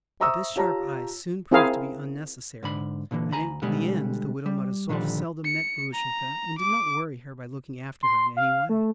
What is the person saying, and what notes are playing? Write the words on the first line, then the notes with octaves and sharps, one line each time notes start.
But this sharp eye soon proved to be unnecessary, and in the end the widow Morozov seldom met Grushenka and did not worry her by looking after her in any way.
C5 E5 A#5 C#6 D#6 E6
F4 G4 C#5 A5 A#5
C4 E4 G#4 A#4 F5
G#2 D3 B5
A#2 D3 E3 A#3
D2 G#5 A#5 B5
B2 D3 G3 G#3
G3
A#2 D3 D#3 F3 G3
C#7
A#5
D6
C6
F5
A3